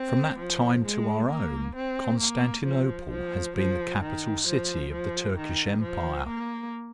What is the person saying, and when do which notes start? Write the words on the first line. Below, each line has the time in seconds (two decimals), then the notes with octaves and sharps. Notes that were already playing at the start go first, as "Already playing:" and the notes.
From that time to our own Constantinople has been the capital city of the Turkish Empire.
Already playing: C4
0.39 F3
0.86 G#3
1.30 A#3
1.76 C4
2.20 A#3
2.65 F3
3.10 F3
3.57 F3
4.02 D#3
4.47 F3
4.92 F3
5.37 D#3
5.82 F3
6.27 A#3